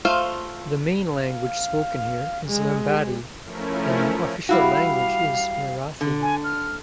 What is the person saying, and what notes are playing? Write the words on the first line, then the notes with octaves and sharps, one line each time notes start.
The main language spoken here is Lambadi and the official language is Marathi.
A3 F4 C5 F5
F5
G#3
F3 A3 C#4 E4 A#4
G3 E4 F#4 F5
D3
G#5
F6